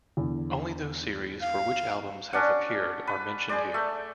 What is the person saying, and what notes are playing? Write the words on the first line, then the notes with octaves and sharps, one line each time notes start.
Only those series for which albums have appeared are mentioned here.
E2 D3
F5
C#4 D4 F#5
B4
G#4 C5 D5
A3